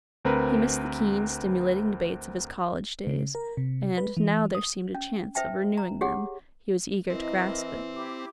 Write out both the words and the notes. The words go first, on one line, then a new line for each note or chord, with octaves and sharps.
He missed the keen, stimulating debates of his college days and, now there seemed a chance of renewing them, he was eager to grasp it.
D2 C4 A#4 B4
C#3
A#4
C3
B4
E3
D#6
C#4
C5 E5 G5 A5
A#5
G4 G#4 C#5 F#5
E3 C4 E4 A#4 D#5
E4 G4 D6